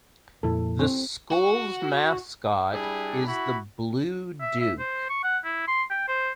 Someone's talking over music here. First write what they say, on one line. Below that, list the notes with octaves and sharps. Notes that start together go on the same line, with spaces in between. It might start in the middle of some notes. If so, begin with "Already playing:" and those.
The school's mascot is the "Blue Duke".
F2 A#2 E4 A4
C4
F#4
G3 D4 E4 G#4
E4 F#4 B5
E5
E5
C5
C#6
F#5
E4
C6
G5
C5